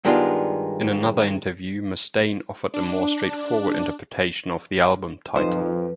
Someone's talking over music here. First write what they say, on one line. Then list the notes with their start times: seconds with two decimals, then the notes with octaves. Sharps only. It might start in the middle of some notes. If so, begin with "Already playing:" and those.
In another interview, Mustaine offered a more straightforward interpretation of the album title.
0.05 G2 D#3 G#3 B3 D4 F4
2.74 D4
5.36 F2 F3 D#4 B4 C5